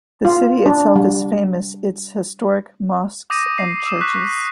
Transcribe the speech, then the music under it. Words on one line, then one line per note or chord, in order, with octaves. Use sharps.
The city itself is famous its historic mosques and churches.
F4
D4
G3
D6 D#6 G6 A#6 D#7
D#6 C7
D#6 E6 E7
C#6 D#6 E6 F#6 B6
D6